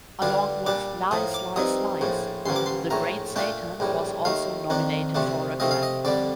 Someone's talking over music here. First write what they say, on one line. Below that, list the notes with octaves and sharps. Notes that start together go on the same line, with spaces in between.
Along with "LiesLiesLies", "The Great Satan" was also nominated for a Grammy.
G2 D3 G3 D4 F4
A#2 G3 D4 D6
A2 F3 A#3 D#6
D6
G2 F3 C4 D#4 D#6
A#1 A2 F3
A1 G2 D3 F3 A#3 C6
D6
C6
A#1 A2 A3 A#5
A#2 A3 D4 F4 G5
A#1 A2 G3
D#2 D#3 A3 F5
F2 D#3 A#3 D4
D2 C3 F3 A3 D4
C3 F3 A3 C4 F4 D#5
F5
D#5
F2 D3 G3 D5